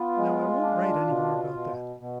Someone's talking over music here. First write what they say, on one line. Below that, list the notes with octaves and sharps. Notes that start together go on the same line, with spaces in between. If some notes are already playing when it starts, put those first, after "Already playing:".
Now I won't write any more about that.
Already playing: B3 F4
G#3
D4
B2
B2
B2